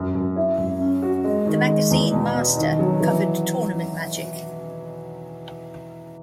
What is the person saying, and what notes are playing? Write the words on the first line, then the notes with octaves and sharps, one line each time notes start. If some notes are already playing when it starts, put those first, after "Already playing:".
The magazine "Mastyr", covered tournament Magic.
Already playing: F#2
F#2
E4
F#2
C#4
F#4
G#3
D#3
G#3
E2
B2
B2
D#3
F#3
E3